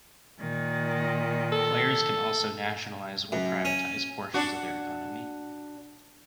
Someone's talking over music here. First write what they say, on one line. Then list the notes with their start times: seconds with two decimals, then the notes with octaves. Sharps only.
Players can also nationalize or privatize portions of their economy.
0.40 A#2 D#3
1.52 A4
3.32 F#2
3.65 C#4
4.34 D4 F#4